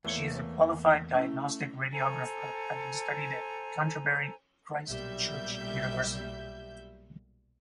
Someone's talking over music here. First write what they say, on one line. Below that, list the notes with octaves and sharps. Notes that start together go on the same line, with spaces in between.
She is a qualified Diagnostic Radiographer having studied at Canterbury Christ Church University.
E2 E3 A3 A#3 C#5
A3 C#4 E4
A4 C5 G#5 A#5
B1 A#2 G3 E5 G6